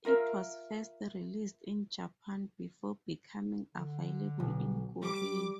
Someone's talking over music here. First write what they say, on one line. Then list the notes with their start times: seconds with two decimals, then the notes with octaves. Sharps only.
It was first released in Japan before becoming available in Korea.
0.05 F4 A#4 E5 F5
3.75 D3
4.40 B1
5.03 G3 D6